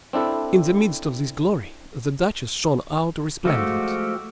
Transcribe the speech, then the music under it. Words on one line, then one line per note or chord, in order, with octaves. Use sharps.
In the midst of this glory the duchess shone out resplendent.
C4 D4 E4 A4
F3 G#3 A3 F#4 G4